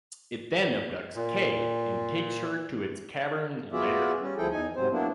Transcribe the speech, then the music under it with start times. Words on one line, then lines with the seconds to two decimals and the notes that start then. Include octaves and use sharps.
It then abducts Kay and takes her to its cavern lair.
1.15 A#2
3.72 B3 F4 F#4 G#4 D5 E5
4.21 G3 C#4
4.37 D2 F3 E4 G#4 A4 G5
4.52 E2 D#4 G#5
4.76 G#2 C3 F#3 C4 C5
4.91 F#3 A#3 B3 D4 E4